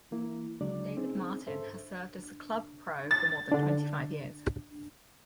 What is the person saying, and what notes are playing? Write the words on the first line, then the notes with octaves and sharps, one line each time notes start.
David Martin has served as the club pro for more than twenty-five years.
E3 A#3 E4
D2 C#3 F#3 G#3 D4 D5
C4 C#4 D#4 G#4
G#2 A4 C5 E5
A6
D3 D4